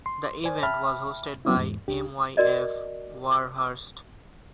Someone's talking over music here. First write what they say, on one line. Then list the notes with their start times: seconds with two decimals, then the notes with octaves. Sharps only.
The event was hosted by Myf Warhurst.
0.06 C6
0.44 C5 D5 G#5
0.63 E5 G5 A5 B5 F6
1.45 F#3 B3 C#4 E4
1.56 E2 G#2
1.88 C#2 D4 G4
2.37 F#4 A#4 D5 D#5